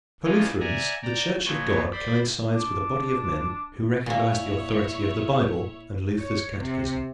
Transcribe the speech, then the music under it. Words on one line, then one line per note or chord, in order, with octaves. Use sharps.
For Lutherans the Church of God coincides with a body of men who recognize the authority of the Bible and Luther's catechism.
C#3 E3 F3 D#4 F4 G#4
D5 E5 F#5 G#5 A#5
D5 G5 A#5
A#2 F3 F#3 B4 C#5 C#6
C5 D5 B5
D4
A#2 A#3 E4 C#5
C#5
C3